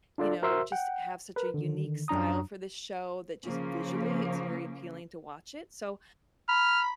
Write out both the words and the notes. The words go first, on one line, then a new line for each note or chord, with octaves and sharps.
you know, just have such a unique style for this show that just visually it's very appealing to watch it, so
D4 F4 A4 D5
F#4 A#4 C5 E5 C6 E6
F#5 G5
A#4 B4
D3 D#3
F#2 F#3 D4 A#5 D#6
C#3 F3 A#3
B5 F6